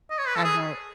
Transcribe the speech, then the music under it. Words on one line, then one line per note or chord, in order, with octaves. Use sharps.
I know
D#5
C#5
B4
A4
G#4